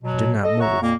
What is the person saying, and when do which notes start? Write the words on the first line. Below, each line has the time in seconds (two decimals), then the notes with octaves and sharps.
She did not move.
0.03 B2 F#3
0.43 A4 D#5
0.60 C#5 E5 F#5 A#5 C#6
0.81 F2 A#2 A#3